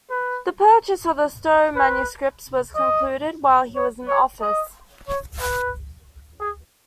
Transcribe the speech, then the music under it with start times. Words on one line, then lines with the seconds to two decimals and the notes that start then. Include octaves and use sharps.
The purchase of the Stowe manuscripts was concluded while he was in office.
0.10 B4
1.76 B4
2.75 D#5
3.75 C#5
4.08 C#5
4.41 D#5
5.08 C#5
5.40 B4
6.40 G#4